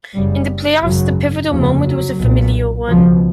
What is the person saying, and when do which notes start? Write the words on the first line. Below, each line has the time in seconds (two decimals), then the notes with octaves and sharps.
In the playoffs, the pivotal moment was a familiar one.
0.15 F#1 F#2 C#3 G3
0.83 G#1 F#2 C#3 F#3
1.51 F1 D#2 C#3 F3
1.86 F#3
2.20 B1 A#2
2.88 C#2 B2 F3